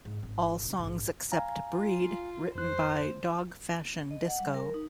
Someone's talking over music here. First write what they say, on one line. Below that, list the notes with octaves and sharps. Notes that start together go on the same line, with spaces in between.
All songs except "Breed" written by Dog Fashion Disco.
G#2
G#1
A2 C#3
A#1 G#2
F5 G#5 A#5
F4
F2 C5 F#6
D#5
F#5
G3
A#4
D#4